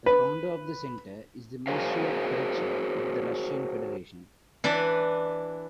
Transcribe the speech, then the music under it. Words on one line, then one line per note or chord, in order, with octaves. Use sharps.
The founder of the center is the Ministry of Culture of the Russian Federation.
B4
F#4 G#4 A#4 C5 C#5 F5
E3 D4 B4